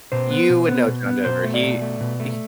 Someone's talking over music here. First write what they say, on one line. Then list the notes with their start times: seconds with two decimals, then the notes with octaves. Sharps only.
You would know John Denver. He h
0.12 B2 C5
0.31 B3
0.50 B2
0.68 B3
0.87 B2
1.06 B3
1.25 B2 C5
1.44 A3
1.54 D5
1.64 B2
1.82 A3
2.01 B2
2.20 A3